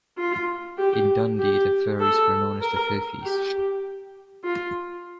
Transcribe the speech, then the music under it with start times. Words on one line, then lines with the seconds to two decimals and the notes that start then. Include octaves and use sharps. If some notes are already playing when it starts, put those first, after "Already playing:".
In Dundee, the ferries were known as "the Fifies".
0.17 F4
0.78 G4
1.39 G4
2.00 A4
2.61 A#4
3.22 G4
4.44 F4